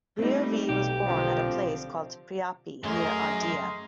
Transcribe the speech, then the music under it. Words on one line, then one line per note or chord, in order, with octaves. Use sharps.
Leo V was born at a place called Priapi, near Ardea.
G3 A3 C4 D#4
B1 G4
D3 F3 C4
F#2 A3 G#4 A#4 D#5 C6